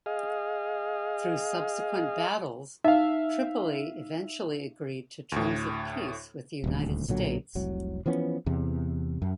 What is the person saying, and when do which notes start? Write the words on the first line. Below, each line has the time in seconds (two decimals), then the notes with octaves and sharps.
Through subsequent battles, Tripoli eventually agreed to terms of peace with the United States.
0.06 G#4 D#5 F5
2.84 D#4 E5 F5
5.32 D2 A2
6.64 D#1 D2
7.08 B1 A#2 D3 F#3
7.55 F1 C2 F#3
8.06 E3 F3 B3 C#4
8.46 E2 C3
9.22 F#2